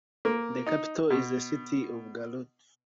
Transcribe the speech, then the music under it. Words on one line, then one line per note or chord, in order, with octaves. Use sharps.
The capital is the city of Garut.
A#3
D#4
B2